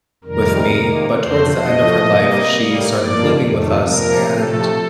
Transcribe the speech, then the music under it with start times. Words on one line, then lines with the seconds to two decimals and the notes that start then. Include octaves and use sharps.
with me, but towards the end of her life, she started living with us and
0.24 F2 C3 D#3 G3 A#4
0.70 C3 D#3 A#3
1.15 F2 D3 A3 C5
1.60 A2 F3 A3 D#5
2.06 C3 G3 A#3
2.50 A2 G3 A#3
2.96 G2 F3 A#3 D5
3.41 F2 C3 D#3 A3
3.86 C3 F3 A#3 A#4
4.32 C3 F3 A3 A4